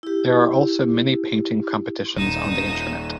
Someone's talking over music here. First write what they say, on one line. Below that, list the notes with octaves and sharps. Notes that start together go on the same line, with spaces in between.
There are also many painting competitions on the internet.
E4 G4
D#1 D#4 E7